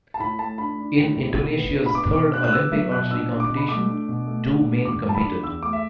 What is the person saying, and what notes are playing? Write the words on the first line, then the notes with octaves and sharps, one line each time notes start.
In Indonesia's third Olympic archery competition, two men competed.
A5
A2 B5
A3 A5
D4 B5
D4
A2
A2
B2
B3
D4
B5
B3 D6
B2 D6
D4 F#6
F#6
B3 E6
F#3 E5
B2 F#6
D4 E6
D4
D6
B2
B5
A3 D6
D4
B2
A3
A3
D4
E2 D6
A3 A5
B5
D4
E2 E6
A3 D6
E5